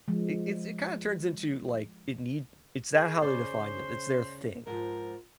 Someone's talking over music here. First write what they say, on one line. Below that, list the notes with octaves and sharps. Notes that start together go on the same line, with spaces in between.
It it's it kinda turns into, like it need it's that how they define it it's their thing,
F3 G#3
G#4
C#3 C5 D5
G#2 F3 A#4